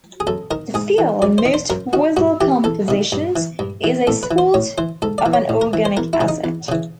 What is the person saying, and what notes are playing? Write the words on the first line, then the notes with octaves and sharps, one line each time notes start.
The fuel in most whistle compositions is a salt of an organic acid.
G#4
F#2 A4
D#3 A#4
G#2 G#4
E3
F#2 D5
C5
D#3
C5
F#2 A#4
D#3 F#4
G2 F#4
E3 G4
E2 A4
C3 D#3
G2
E3
G2
E3
A2 A4
B4
E3
C5
A2 C#5
E3 C5
G#2 A4
D5
E3
C#5
A2
A#4
E3
C5
E2 A#4
E4
C#3 E3
D#4
E2
C#3 E3